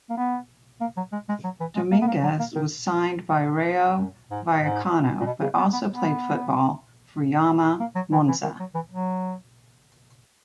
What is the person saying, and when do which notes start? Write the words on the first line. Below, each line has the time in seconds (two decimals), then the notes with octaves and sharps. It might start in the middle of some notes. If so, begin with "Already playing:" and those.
Domingues was signed by Rayo Vallecano but also played football for Fiamma Monza.
0.10 A#3
0.17 B3
0.81 A#3
0.97 F#3
1.13 G#3
1.29 G#3
1.44 F#3
1.60 E3
1.76 G#3
1.92 A#3
2.02 B3
2.07 A#3
2.23 F#3
2.39 A#3
2.56 D#3
3.98 F#2
4.31 G#2
4.62 G#2
5.20 A#2
5.26 B2
5.42 C#3
5.58 B3
5.73 B3
5.89 B3
7.80 A#3
7.95 F#3
8.12 E3
8.28 E3
8.43 D#3
8.60 F#3
8.75 E3
8.91 F#3